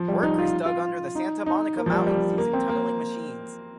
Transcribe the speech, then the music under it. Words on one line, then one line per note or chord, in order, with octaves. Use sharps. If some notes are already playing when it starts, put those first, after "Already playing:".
Workers dug under the Santa Monica Mountains using tunneling machines.
Already playing: F3
G3
D#4
F4
F4
D#4
D#4
A#3
F3
G3
G3
A#3
C4
A#3